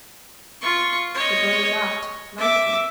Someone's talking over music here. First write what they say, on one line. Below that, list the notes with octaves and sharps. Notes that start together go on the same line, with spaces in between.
The girl laughed, lightly.
F4 C#6
C#5 D#5
E5 D6